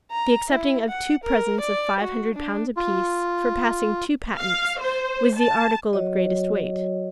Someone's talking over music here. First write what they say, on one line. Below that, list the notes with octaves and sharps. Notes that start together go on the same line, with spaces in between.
The accepting of two presents of five hundred pounds apiece, for passing two patents, was the article of greatest weight.
A#5
E4
F#5
A#4
D5
F#4
D4
F4
F5
C5
A5
F#3 F#4 C#5 D#5